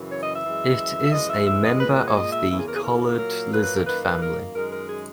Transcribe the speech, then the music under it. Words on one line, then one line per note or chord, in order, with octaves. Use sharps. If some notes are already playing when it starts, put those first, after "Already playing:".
It is a member of the collared lizard family.
Already playing: F#2 C#3 E3
C#5
D#5
E5
F#2 E3 G#3
E5
F#2 E3 G#3 D#5
E5
E5
D#5
A#2 G#3 B4
A#4
B4
C#5
D#5
E5
E2 C#3 E3 A#3 E5
G#4
A#4
G#4
A#4
A#2 F#3 A#3 A#4
B4
B4
A#4
F#2 D#3 A#3 B4
B4
A#4
F#2 D#3 G#3 A#4
A#4
G#4